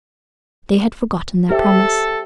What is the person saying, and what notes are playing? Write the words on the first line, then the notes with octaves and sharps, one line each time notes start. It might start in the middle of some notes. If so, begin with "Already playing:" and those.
They had forgotten their promise.
G4 A4 C5 E5